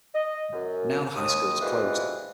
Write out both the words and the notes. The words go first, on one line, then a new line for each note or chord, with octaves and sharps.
Now the high school has closed.
D#5
F#2
D#2 D#6
B2 D3 E3 F3 G3 G#3